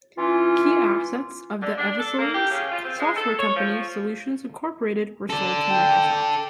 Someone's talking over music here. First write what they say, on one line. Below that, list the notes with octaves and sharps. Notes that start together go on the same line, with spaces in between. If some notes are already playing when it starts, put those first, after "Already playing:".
Key assets of the Evslins' software company, Solutions, Incorporated were sold to Microsoft.
E3 C#4 F4
D3
D4
A4
A#3
G4
C#3
F4
C4
G#3
A4
C#5
F3
A4 D5
G5